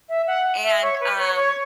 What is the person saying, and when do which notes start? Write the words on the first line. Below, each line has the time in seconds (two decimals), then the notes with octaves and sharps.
and um
0.09 E5
0.27 F#5
0.64 E5
0.82 C#5
1.00 B4
1.18 C#5
1.36 C#5